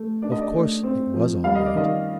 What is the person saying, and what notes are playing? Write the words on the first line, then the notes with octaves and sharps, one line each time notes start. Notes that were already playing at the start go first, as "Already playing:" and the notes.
Of course it was all right.
Already playing: A3
D4 D5
D#5
D5
A3
C4
F3
G3 F5
D#5
D5
D#3 D#5